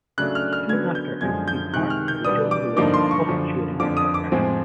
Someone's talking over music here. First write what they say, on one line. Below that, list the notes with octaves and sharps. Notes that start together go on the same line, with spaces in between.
Soon after it became part of the John Lewis profit sharing partnership.
C#3 F#3 A3 D4 F#6
F6
F6
D3 F#3 B3 G#6
G6
F#2 D3 F3 G#3 G#6
G6
C3 D#3 G#3 F#6
F6
G6
B2 G3 B3 D4 D#6
D6
G2 D3 F3 A#3 D#4 D6
C6
C#6
F#2 D3 F3
F2 D3 F3 D6
D#6
D6
A2 F3 G#3 C4